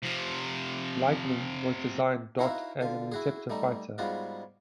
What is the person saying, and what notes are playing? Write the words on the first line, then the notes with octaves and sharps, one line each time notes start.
Lightning, was designed.. dot as an intercepter fighter.
C3 F3
D#4 E4 F#4 B4 E5 F5
D3 F4
E4 F#4 G#4
G3 A3 D#4
G#2 G3 B3 F4 F#4